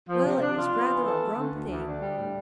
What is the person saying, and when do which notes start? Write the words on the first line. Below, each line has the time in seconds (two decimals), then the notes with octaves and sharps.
'Well, it was rather a rum thing.
0.09 F3
0.25 C3
0.41 D4
0.58 F4
0.73 B3
0.89 E3
1.05 A4
1.22 A3
1.37 D3
1.54 D2
1.70 D2
1.86 D4
2.01 G3
2.18 A2